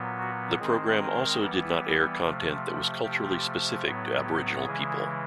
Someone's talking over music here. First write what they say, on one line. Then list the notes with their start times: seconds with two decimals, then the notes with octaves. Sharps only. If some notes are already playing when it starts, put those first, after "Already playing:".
The program also did not air content that was culturally specific to aboriginal people.
Already playing: A#2 F#3 B3
0.18 F#4
0.58 D#3 G#3 C4 G#4
0.99 A#4
1.40 E3 G3 B3
2.22 C3 F3 A3
3.03 C3 F3 A3 G4
3.84 A2 F#3 B3
4.25 G4
4.66 C#3 E3 G#3 G#4